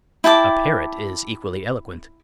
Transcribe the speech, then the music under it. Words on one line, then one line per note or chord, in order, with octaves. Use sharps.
A parrot is equally eloquent.
E4 G5 A5 D6